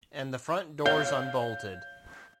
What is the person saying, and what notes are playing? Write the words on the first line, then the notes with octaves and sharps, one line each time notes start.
And the front door's unbolted.
C#5 F5 G6 G7